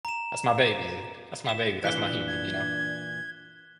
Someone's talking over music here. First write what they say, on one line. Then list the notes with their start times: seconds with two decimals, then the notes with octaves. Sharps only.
that's my baby, that's my baby, that's my human, you know.
0.05 A#5 E7
1.47 F4 B6 E7
1.84 A#2 E3 D4 F#6 B6 G7
2.28 G#6